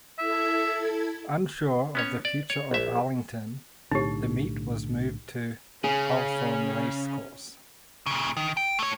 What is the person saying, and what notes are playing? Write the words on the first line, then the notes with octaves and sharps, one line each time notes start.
Unsure of the future of Arlington, the meet was moved to Hawthorne Race Course.
E4 A4 E5 G#6
B3 C#4 C#5
D5
C#5
A#1 E5
B1 A2 D3 D#4 G4
C#3 C#4 G#4
A#2 C#3
D#3
G5
A3 C#5